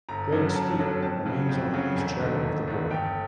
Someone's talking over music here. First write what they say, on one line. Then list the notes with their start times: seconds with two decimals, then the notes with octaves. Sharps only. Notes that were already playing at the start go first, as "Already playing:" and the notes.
Greg Steil remains on as chairman of the board.
0.09 G1 A#5
0.32 F#2 D3 F#3
0.50 A#5
0.55 G1 A5
0.79 F#2 D3 F#3
1.02 F2 A5
1.26 C#3 F#3
1.49 F2
1.74 C#3 F#3
1.96 E1 G#5
2.20 D#2 D3
2.43 E1
2.67 D#2 D3
2.91 G1 G5